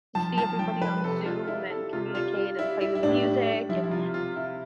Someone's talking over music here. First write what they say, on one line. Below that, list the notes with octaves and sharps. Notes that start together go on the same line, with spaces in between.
see everybody on Zoom and communicate and play the music, and
F3 A5
F3 A5
F3 G5
F3 B4
C3 A4
G3 F4
G3 E4
G3 A4
C3 F4
G3 F4
G3 F4
G3 E4
G3 E4
E4
A2 D4
G3
G3
F3 E4
E4
C3 F4
C3 F4
C3 E4